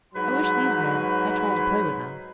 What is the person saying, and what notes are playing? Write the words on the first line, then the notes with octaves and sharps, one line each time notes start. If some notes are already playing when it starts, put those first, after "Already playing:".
I wish these men had tried to play with them.
G#2 F#3 B4 B5